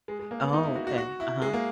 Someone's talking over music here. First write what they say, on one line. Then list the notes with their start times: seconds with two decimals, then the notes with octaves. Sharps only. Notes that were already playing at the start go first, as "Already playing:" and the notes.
Oh, okay, uh-huh.
0.08 G#3
0.19 G#3
0.31 A#3
0.42 B3
0.53 D#4
0.64 E4
0.76 F#4
0.87 F#4
0.98 F#4
1.20 E4
1.42 G#3
1.53 A#3